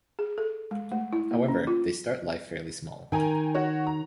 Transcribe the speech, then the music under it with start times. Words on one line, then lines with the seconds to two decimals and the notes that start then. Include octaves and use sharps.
However, they start life fairly small.
0.19 G#4
0.38 A4
0.71 G#3
0.92 A3
1.13 E4
1.31 A#3
1.48 C#4
1.67 F4
3.12 D#3 G5 G#5 A#5
3.55 F#4 C#5
3.87 A#5